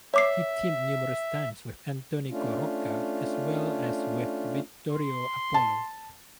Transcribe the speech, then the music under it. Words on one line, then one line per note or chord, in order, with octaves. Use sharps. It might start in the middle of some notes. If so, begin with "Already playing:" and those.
He teamed numerous times with Antonino Rocca, as well as with Vittorio Apollo.
C#5 E5 D6 C7
A3 C#4 D4 F4
C6
A5